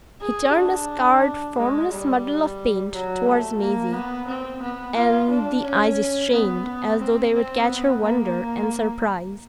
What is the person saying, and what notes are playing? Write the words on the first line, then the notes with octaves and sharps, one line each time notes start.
He turned a scarred formless muddle of paint towards Maisie, and the eyes strained as though they would catch her wonder and surprise.
G#4
D4
G#3
G3
F#3
A3
A#3
B3
C4
B3
F4
D4
C#4
B3
C4
C4
B3
A#3